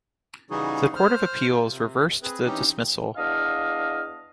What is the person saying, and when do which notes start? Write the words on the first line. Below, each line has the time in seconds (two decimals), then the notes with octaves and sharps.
The Court of Appeals reversed the dismissal.
0.50 C#3 E3 G3 D#4 F#4 G#4
0.96 C5 F6
1.50 F4
1.69 C3
2.22 C4 G#4 B4
2.46 E3 C4 C#4 D#4 G4
3.16 E2 D4 D#5 F5